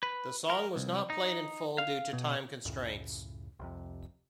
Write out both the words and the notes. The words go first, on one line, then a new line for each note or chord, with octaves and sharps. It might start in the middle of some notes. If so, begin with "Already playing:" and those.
The song was not played in full due to time constraints.
B4
A#4
C2
D#4
F5
B2
C#2 F#2 A2 C#3
C2 F2 C3